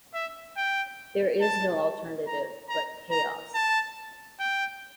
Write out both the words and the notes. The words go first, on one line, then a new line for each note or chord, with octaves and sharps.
There is no alternative but chaos...
E5
G5
A5
A#5
A#5
A#5
A5
G5